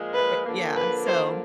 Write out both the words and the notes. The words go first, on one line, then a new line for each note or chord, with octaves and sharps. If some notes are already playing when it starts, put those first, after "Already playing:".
Uh, uh, yeah, so,
Already playing: A#2 F3 G#3
B4
D3 F3 A#3
B4
C5